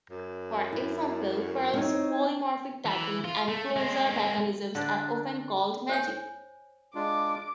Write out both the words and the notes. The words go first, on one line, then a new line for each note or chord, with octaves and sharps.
For example, Perl's polymorphic typing and closure mechanisms are often called "magic".
F#2
E4
C4 D#4 C#5
E3
F4
A3
G#3 C4
D3 D4
C5 C#5 G#5
G#3 D4 F4 D6